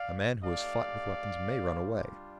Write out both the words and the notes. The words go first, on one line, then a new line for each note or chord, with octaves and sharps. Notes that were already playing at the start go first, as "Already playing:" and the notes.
A man who has fought with weapons may run away.
Already playing: D5 F5
A3 D#4 G4 D5 F5
G3 D4 F4